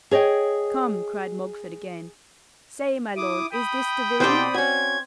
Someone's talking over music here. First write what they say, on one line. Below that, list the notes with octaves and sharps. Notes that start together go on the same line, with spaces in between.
"Come," cried Mogford again; "say, my lord, is this the villain?"
G#4 C#5 D#5 G5
E4 D6 D#6
G5 B5 D#6
B2 C4 G4 C5 D5 G5
C#4 F#4 G#6